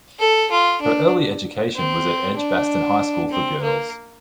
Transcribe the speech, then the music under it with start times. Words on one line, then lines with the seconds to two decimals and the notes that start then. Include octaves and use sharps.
Her early education was at Edgbaston High School for Girls.
0.19 A4
0.51 F4
0.81 D4
1.76 C4
2.37 D4
3.31 C4
3.62 A#3